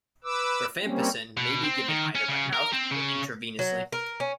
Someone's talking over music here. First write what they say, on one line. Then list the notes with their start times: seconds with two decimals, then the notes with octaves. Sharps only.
Rifampicin may be given either by mouth or intravenously.
0.24 B4 D6 E6
0.83 G3 A#3 C4 C#4
1.37 B2
1.63 C4
1.88 D#3
2.15 C#4
2.28 C#3
2.53 A#4
2.73 C4
2.91 C#3
3.59 F#3
3.92 A#4
4.20 C#4